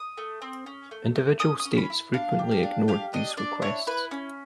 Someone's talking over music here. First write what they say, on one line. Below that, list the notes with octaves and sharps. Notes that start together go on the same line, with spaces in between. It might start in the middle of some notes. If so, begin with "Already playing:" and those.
Individual states frequently ignored these requests.
Already playing: D#6
A3
C4
C#4
A3
A3
C#4 D#6
D#6
C#4
B5
E4
D4 F5
G4
F5
D4
G4 F5
D4 D#5
D4 D5
E4 C#5
E4 B4
C#4